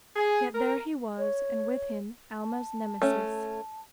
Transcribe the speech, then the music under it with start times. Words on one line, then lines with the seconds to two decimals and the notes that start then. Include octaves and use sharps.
Yet there he was--and with him Alma's Nemesis.
0.15 G#4
0.55 A#4
1.18 C#5
2.41 A5
3.02 A3 C#4